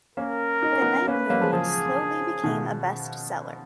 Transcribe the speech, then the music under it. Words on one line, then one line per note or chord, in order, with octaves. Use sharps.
"Goodnight Moon" slowly became a bestseller.
A#3 C#4 A#4
D#4
C#4
B3 D#4
A#3 C#4 B4
F#3 A#3
F3 G#3
C#3 F3 G#4
B2 D#3